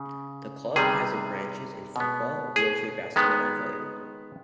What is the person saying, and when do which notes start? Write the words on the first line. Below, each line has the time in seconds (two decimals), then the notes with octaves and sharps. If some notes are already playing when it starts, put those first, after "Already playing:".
The club has in branches in football, wheelchair basketball and volleyball.
Already playing: C#3
0.76 C3 D#3 G3 B3 G#4
1.96 B2 G#3 B3
2.56 G#4
3.16 D#3 G#3 B3